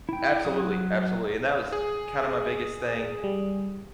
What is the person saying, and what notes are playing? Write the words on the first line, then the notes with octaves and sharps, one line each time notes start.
Absolutely, absolutely, and that was kinda my biggest thing,
E4 G5
F#3 D#6
G#4
G3